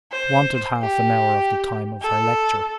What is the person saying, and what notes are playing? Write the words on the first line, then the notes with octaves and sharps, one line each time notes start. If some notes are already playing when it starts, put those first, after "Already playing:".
It wanted half an hour of the time of her lecture.
C5
G4
A4